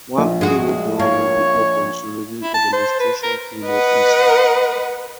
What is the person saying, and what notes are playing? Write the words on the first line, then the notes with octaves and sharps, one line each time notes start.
One payload door will be open to reveal a demonstration payload inside.
A#1
G#3 F#4
A#3 C#5
E4
A5
C5
B4
A#4
B4 D#5 F#5